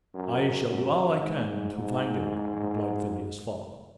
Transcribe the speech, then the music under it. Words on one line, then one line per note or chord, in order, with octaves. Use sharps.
"I shall do all I can to find him," replied Phileas Fogg.
F#2
F#2
G#2
G#2